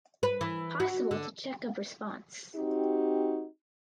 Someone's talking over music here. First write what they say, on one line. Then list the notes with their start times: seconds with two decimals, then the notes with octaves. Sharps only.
Possible to check of response.
0.23 B4
0.41 E3
0.80 F#4
1.11 D3
2.56 C4 D#4 F#4 G4